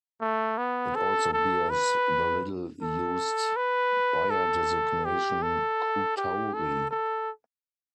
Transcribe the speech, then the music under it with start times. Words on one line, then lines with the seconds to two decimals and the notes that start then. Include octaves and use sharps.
It also bears the little-used Bayer designation "q Tauri".
0.21 A3
0.58 B3
0.96 A4
1.33 A4
1.70 B4
2.82 A4
3.57 B4
4.30 A4
5.05 G4
5.43 A4
6.17 G4
6.54 A4
6.91 A4